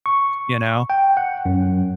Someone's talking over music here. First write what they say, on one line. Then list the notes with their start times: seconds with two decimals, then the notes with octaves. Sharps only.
you know,
0.06 C#6
0.90 G5
1.17 F#5
1.45 F#2